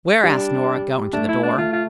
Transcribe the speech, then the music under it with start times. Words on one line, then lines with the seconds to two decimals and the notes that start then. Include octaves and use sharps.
"Where?" asked Nora, going to the door.
0.24 G3 D4
1.13 A3 D4
1.29 E4
1.43 D4
1.58 A3 F4
1.73 F4